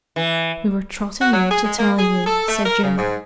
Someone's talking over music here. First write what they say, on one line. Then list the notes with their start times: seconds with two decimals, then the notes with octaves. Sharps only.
"We were trotting in to tell you," said Jim.
0.16 E3
1.20 F#4
1.33 F#3
1.50 G#4
1.64 G#3
1.78 A#3
1.99 G#4
2.26 A4
2.48 A3
2.64 A#4
2.83 C#3
2.97 G#2